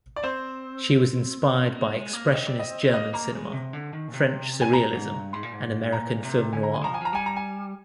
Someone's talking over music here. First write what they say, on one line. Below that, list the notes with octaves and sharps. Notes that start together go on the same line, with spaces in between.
She was inspired by expressionist German cinema, French surrealism and American film noir.
D5
C4 C5
A#3
G#3
A#3
C4 D#5
D5
D#5
A#3 D#5
A#3 A#5
G#3
C3
D3
D#3
A#2
C3
G#5
C3
A#2 A#5
G#2
G2
G#2 C6
A#2
G#2
A#2 A#5
C3
D3 G#5
A#5
G#5
F3 A#5
G#5
F3 A#5
G3 G#5
A#5
G#5